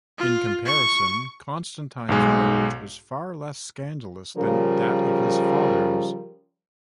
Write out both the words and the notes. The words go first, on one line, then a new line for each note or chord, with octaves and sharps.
In comparison, Constantine's marriage was far less scandalous than that of his father's.
F4
C#6
B1 G#2 G#3
C#3 F3 G3 A#4